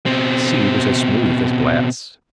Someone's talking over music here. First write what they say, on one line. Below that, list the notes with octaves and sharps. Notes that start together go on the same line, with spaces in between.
The sea was as smooth as glass.
B2 C4